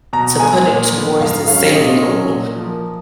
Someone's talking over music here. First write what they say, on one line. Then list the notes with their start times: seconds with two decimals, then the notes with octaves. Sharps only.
To put it towards the saving goal.
0.13 B2 A#5
0.40 G#3 B3 G#5
0.67 A#2
0.94 F3 B3
1.20 G#2 F5
1.48 F#3 C#4 F5
1.75 A#2 D#5
2.03 F#3 C#4
2.29 A#2
2.56 F3 A#3